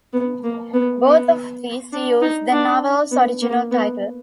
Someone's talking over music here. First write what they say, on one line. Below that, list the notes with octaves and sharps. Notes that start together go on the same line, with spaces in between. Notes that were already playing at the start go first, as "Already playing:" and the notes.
Both of these used the novel's original title.
B3
A#3
B3
B3
D4
D#4
D4
B3
A#3
B3